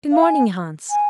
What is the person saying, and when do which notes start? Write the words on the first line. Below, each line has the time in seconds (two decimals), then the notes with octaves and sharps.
'Good morning, Hans.
0.12 F5
0.22 G#5
0.91 G#5